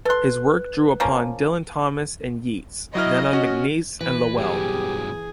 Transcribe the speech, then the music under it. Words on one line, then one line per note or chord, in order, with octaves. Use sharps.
His work drew upon Dylan Thomas and Yeats; then on MacNeice and Lowell.
A4 B4 C6 F#6
F3 A#3 C#4
F#3 E4 D#5 F6
C#4 F#4
E3 B4
G2 B2 F#3 G4 G#4